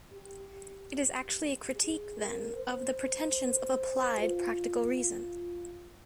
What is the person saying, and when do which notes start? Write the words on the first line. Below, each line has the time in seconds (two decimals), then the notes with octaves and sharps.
It is actually a critique, then, of the pretensions of "applied" practical reason.
0.13 G4
1.75 G#4
2.16 A#4
2.56 C5
4.19 F4
4.99 F4